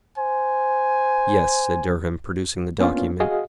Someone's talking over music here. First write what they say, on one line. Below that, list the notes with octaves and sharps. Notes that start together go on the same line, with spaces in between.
"Yes," said Durham, producing the document.
C5 G#5
A#3 B3 C#4 D4 F4
F#4 G#4 D#5 F5